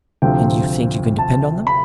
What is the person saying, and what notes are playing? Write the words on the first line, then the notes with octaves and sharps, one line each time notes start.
"And you think you can depend on them?"
D2 C3 F3 C4 G5
A5
B5